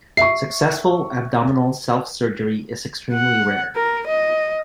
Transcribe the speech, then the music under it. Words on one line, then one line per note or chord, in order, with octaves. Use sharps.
Successful abdominal self-surgery is extremely rare.
E5 C#6 C7
F#5
A#4
D#5